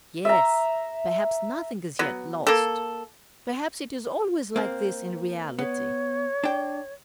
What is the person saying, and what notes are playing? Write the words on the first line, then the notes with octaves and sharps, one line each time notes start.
Yes! Perhaps nothing is yet lost.... Perhaps it is always like this in reality.
E5 A#5
F#3 B3
A#3 A4
A#3 C4
B3 C#5
D4 G5